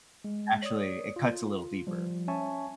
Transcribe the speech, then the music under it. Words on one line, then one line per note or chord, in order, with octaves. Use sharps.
actually it cuts a little deeper.
G#3
C#5 D5 D#6
F4
F3 G3
C#4 C#5 E5 G#5 A5 C#6